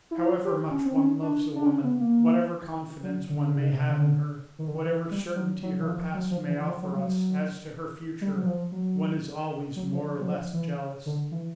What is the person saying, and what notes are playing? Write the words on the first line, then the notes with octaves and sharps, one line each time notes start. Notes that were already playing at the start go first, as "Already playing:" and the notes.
However much one loves a woman, whatever confidence one may have in her, whatever certainty her past may offer us as to her future, one is always more or less jealous.
E4
F4
G4
C#4
C4
C#4
D4
D4
C#4
B3
A#3
F#3
D3
D3
C#3
C3
D3
D#3
D3
D#3
E3
G3
F#3
F#3
E3
F3
F#3
F3
E3
F3
F#3
G3
F#3
G3
F#3
F3
F#3
F#3
F3
F#3
F3
E3
D3
E3